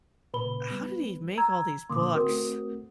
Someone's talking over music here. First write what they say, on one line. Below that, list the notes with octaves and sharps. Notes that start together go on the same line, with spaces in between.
How did he make all these books?
A#2 C#3 B4 B5 G7
G3 B3
A#5 E6 G#6
A#2 D3 A#3 C6 D6 D#6
A3 C4 F#4 A#4 D#6